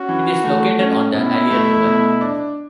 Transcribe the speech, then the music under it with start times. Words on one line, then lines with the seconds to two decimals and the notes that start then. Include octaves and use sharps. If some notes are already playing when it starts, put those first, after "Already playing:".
It is located on the Allier River.
Already playing: C#4 F#4
0.09 E3
0.44 A3
0.79 C#4
1.15 B2 E4
1.51 A3
1.85 B2
2.21 D4